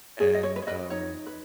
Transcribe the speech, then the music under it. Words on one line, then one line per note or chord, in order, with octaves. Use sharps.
and, um,
G#4 C#5
D#5
C#5
B4
C#5
B4 D#5
D#4 C#5
B4